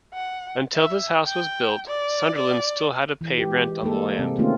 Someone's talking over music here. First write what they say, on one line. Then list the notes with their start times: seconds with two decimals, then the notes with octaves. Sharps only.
Until this house was built, Sunderland still had to pay rent on the land.
0.14 F#5
0.75 E5
1.27 G5
1.87 D5
2.37 D5
3.21 E3
3.38 G#3 G4
3.83 G#3 A#3 A4
4.19 C3 C4
4.38 D#3 A3 A#3 C4 C#4 F4